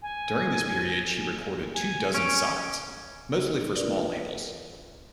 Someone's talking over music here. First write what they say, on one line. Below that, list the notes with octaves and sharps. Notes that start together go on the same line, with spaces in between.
During this period she recorded two dozen sides, mostly for small labels.
G#5
G#5
C#4 D7
D4 D#4 F4 A#4 B4 D5